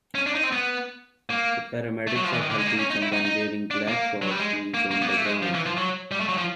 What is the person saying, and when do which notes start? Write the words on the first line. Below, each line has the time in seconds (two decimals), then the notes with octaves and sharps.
The Paramedics are helping someone wearing black shorts who is on the ground.
0.15 C#4
0.26 D4
0.35 D#4
0.43 C4
0.52 B3
1.30 A#3
2.07 A3
2.16 F#3
2.24 F3
2.33 E3
2.41 D#3
2.50 D3
2.59 G#3
2.67 A#3
2.79 C#4
2.90 D#4
3.02 E4
3.13 D#4
3.25 D#4
3.71 D4
3.88 A#3
4.22 F#3
4.31 G3
4.39 G#3
4.74 A#3
4.91 A#3
5.02 B3
5.09 A#3
5.17 A3
5.25 G#3
5.43 F3
5.54 E3
5.66 F3
5.77 F#3
6.12 G3
6.20 A3
6.29 F#3
6.38 F3